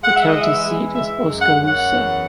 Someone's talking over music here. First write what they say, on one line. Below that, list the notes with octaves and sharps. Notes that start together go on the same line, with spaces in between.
The county seat is Oskaloosa.
G#3 F#5
E5
D#5
E3
E5
G#3
G#3 E5
F#2
F#5
F#2
F#5
E2